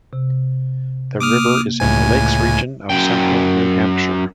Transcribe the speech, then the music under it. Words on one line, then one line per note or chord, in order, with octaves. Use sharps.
The river is in the Lakes Region of central New Hampshire.
C3
A#3 D6 D#6 F6
C#2 A2 G#5
F#2 G5